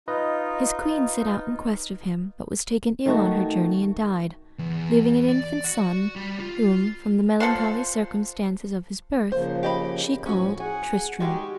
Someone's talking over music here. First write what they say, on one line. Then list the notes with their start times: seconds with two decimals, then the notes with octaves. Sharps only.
His queen set out in quest of him, but was taken ill on her journey, and died, leaving an infant son, whom, from the melancholy circumstances of his birth, she called Tristram.
0.08 D#4 F4 B4 D#5
3.06 D#3 A3 F#4
4.59 E2
5.29 D5
5.64 F#4
6.15 G3
6.39 F4
7.40 F3 A4 F#5 C6
9.32 C#3 F3 A#3 C5
9.63 G4 D#5 B5
10.26 A2 F3 C#4 F#4
10.60 G#4 F#5 G#5
11.20 D#3 G#3 F#4 G4